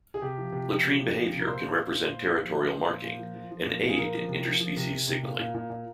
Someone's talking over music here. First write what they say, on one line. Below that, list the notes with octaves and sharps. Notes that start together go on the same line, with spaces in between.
Latrine behavior can represent territorial marking and aid in interspecies signaling.
G#4
C3 G4
F3
C3
F3
C3
F3
F3
C3
A#4
A#2 C5
A#2
A#2
A#2
A#2
A#2
F3
F3
F3
A#2
A#2
F3
F3
F3
A#2
A#2
G#4
F3 A#4
F3
C3
F3
F3
C3
C3
C3
A#2
A#2
A#2
A#2